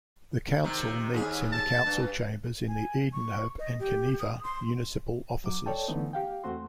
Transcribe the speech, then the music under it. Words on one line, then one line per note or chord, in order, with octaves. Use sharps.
The council meets in the council chambers in the Edenhope and Kaniva Municipal Offices.
C3 D#3
D#2 G#4
A5
G2
G#5
C#6
D#5
G4
D#6
C6
F#3 D6
A4 C#5 D5 G5 A5
D3 E3 A3 B3 D#4
G4 F5 G5
E2 A3 C4 F#4 C6